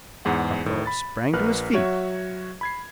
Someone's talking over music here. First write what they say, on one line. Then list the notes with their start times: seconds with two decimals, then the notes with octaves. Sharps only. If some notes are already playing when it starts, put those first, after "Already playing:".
Carthoris sprang to his feet.
0.25 E2 G#2 F#5
0.65 A2 D#3
0.86 B5 A6
1.33 A#1 A#4 B4 F6 F#6
1.73 F#3 F#4 C#5 E5 G#6
2.61 B5 G#6 C7